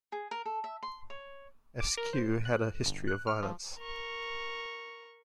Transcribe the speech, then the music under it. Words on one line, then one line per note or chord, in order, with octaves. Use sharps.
Askew had a history of violence.
G#4
A#4
A4
E5
C6
C#5
D6
A#4
C5
F#6
G1
F#6
F6
F3
A#4 C#6